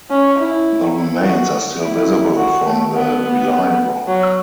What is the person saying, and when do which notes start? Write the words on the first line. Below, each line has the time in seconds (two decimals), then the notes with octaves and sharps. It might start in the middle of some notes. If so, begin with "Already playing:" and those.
The remains are still visible from the Rely road.
0.10 C#4
0.39 E4
0.95 E4
1.24 F#4
1.81 E4
2.37 F#4
2.65 A3
2.94 B3
4.07 F#3